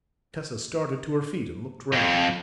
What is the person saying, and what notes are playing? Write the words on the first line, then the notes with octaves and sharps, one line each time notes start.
Tessa started to her feet and looked round.
F2